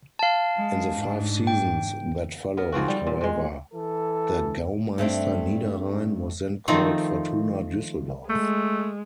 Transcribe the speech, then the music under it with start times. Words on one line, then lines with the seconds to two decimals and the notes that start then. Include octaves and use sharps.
In the five seasons that followed, however, the Gaumeister Niederrhein was then called Fortuna Düsseldorf.
0.19 F5 A5
0.56 G#3
0.92 G#2 D4
1.47 G5
2.57 B3 A#4
2.72 G#2 F3 C4 F#4
2.88 G3
3.07 A#2
3.21 A#2 G#3
3.74 E3 A4
4.98 G2 A3 C4 D4
6.68 D#3 F3 A3 C4 D#4
8.29 G#3 A3